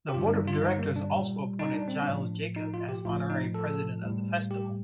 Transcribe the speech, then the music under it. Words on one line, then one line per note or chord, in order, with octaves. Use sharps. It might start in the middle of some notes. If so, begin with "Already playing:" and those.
The board of directors also appointed Gilles Jacob as Honorary President of the Festival.
G4
G2 D3 G3 F4
D4
D#4
F4
D#4
A#3
D4
A#2 G3
D#4
D4
C4
D4
A2 F3
D#4
F4
G4
A2 F3 F4
D#4
A4
A2 G3
G4